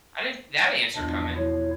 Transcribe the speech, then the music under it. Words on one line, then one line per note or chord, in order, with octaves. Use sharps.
I didn't see that answer coming.
E2 B2 F3 D4 D#5
E4 C#5